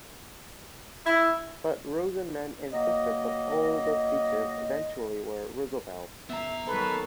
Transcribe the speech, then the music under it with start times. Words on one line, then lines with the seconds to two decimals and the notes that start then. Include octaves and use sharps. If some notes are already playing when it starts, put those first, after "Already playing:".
But Rosenman insisted that all the speeches eventually were Roosevelt's.
1.06 E4
2.73 F#3 A#3 D#5
6.29 F#1 B3 E5 A#5
6.67 D#3 F#3 A4 B4